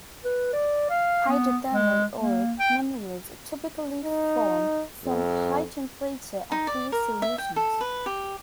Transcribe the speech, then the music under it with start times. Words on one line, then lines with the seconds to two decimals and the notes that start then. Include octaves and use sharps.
Hydrothermal ore minerals typically form from high temperature aqueous solutions.
0.25 B4
0.53 D5
0.90 F5
1.29 B3
1.73 G#3
2.20 A#3
2.59 G5
4.04 D#4
5.05 F2
6.52 D#4
6.67 D5
6.92 A#4
7.22 E5
7.38 G5
7.56 A4
7.81 B4
8.06 G4